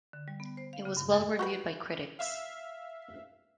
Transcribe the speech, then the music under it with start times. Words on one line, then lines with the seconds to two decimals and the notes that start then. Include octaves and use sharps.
It was well reviewed by critics.
0.13 D3
0.28 G3
0.40 B3
0.57 C5
0.73 F5
0.85 C#3
0.97 G2
1.12 F#2
1.39 F#4 G4 B4
2.19 E5 F5